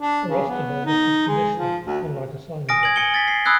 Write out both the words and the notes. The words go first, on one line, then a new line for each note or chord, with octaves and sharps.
A roster bonus is conditional, unlike a signing bonus.
D4
C#3
B3
D#4
G#3
F3
D2
G#5 D#6 F6 A#6 D7
G#6 F#7
G#5 C#7 D#7 G7
A6 B6
C7
B5 D#6 E6 F#6 G#6 C7